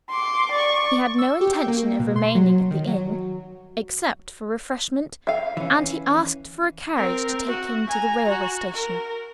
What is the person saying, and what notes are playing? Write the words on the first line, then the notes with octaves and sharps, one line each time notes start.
He had no intention of remaining at the inn, except for refreshment; and he asked for a carriage to take him to the railway station.
C6 D6
D5 C#6
E6
G4
G5
A#3
B2
C6
F#3
D#3
F#3
E5 F5
E3 C#4
C4 A#4
F#4
G#5 A#5
F#4
A#4